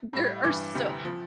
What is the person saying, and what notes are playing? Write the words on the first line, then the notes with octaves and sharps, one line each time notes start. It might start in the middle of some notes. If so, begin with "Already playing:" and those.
there are so
A2 G3
G2 E3 G3 D6
D2 C3 E3 G3
F3